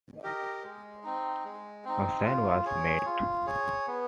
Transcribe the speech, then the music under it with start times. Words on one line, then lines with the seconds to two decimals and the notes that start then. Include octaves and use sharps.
No sign was made.
0.23 G4 A#4 D#5
0.64 G#3
1.03 C4 D#4
1.44 G#3
1.84 C4 D#4
2.25 F4
2.65 G#4 C#5
3.06 F4
3.46 G#4 C#5
3.87 B3